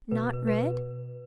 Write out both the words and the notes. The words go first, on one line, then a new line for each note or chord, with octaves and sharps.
Not red?
B2 B4
B4
B4